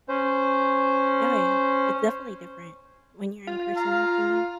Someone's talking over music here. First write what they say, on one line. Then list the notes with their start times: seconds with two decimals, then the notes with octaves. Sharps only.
Oh yeah. It's definitely different when you're in person with someone.
0.08 C#4 C5
3.47 F4
3.76 F5 A#5